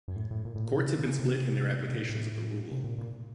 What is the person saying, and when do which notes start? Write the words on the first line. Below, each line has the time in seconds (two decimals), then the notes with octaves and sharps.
Courts have been split in their applications of the rule.
0.08 F#2
0.16 A2
0.31 A2
0.45 A#2
0.56 A2
0.65 A#2
0.75 C3
0.85 C#3
0.95 D#3
1.05 C#3
1.19 C3
1.89 C3
1.95 A#2
2.09 A2
2.71 C3
2.84 A#2
2.98 A#2